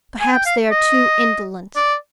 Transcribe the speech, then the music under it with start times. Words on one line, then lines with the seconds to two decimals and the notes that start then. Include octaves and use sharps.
Perhaps they are too indolent.
0.21 G#5
0.32 G5
0.46 F5
0.71 D#5
1.76 D5